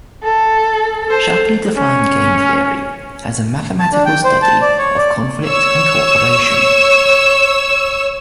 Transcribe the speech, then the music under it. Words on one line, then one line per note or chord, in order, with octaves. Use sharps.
Shapley defined game theory as a mathematical study of conflict and cooperation.
A4
A4 C5
C#4
A5
D4
G5
C5
A5
D5
C#5
D5
C#5 E6